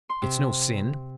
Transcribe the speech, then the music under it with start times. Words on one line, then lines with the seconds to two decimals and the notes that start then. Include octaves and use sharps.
It's no sin.
0.09 C6
0.22 C3